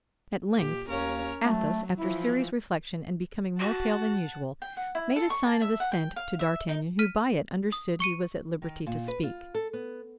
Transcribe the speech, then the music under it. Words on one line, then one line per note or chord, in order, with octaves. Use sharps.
At length Athos, after serious reflection and becoming more pale than usual, made a sign of assent to d'Artagnan, who by it understood he was at liberty to speak.
A#2 G4
D#2 C#4 A#4 C#5
F#3 A3
E3 F3 E4
F#4 F#5 A5
G5
F#5
E4
A4
C#6
A5
E5
F#5
G5
F5
E5
D#4
F6 B6 D#7
D#6
C#6 C#7 D#7
D#3
A#2
B4
F4
A4
B3